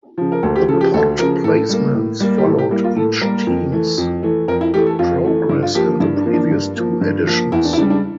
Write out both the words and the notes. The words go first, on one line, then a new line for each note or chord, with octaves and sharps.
The pot placements followed each teams progress in the previous two editions.
C#3 F3
A#4
D2 A4
G4
C#3 F3 A4
G4
D2 A4
C#3 F3 A#4
A2 A4
G3 A#3
A2
G3 A#3
G4
A2 A4
G4
G3 A#3 E4
F4
A2 A4
G3 A#3 A#4
F2
E3 A3
F2
E3 A3
F2 A#4
E4
E3 A3 G4
A4
F2 F4
E3 A3
G2 E4
F4
F3 A#3 G4
G2 E4
D4
F3 A#3
D4
G2
F3 A#3
G2
F3 A#3
E2 E4
D4
E4
C#3 G3 D4
D4